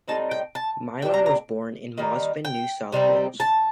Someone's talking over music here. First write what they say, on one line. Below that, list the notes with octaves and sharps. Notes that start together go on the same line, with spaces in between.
Meillon was born in Mosman, New South Wales.
A2 G3 C4 D#4 A5
G5
A5
C3 G3 D4 G5
A#5
A#5
D#3 G3 A#3 D#4
G5
C3 G3 C4 D#4
A5